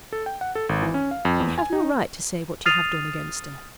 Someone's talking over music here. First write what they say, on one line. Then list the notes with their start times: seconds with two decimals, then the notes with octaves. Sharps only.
You have no right to say what you have done against her.'
0.13 A4
0.26 G5
0.41 F#5
0.55 A4
0.69 G#1
0.82 E3
0.94 C#4
1.11 F5
1.25 F2
1.40 E2
1.58 G#5
1.73 D#4
2.66 D#6 F6 A6 C7 D#7 F7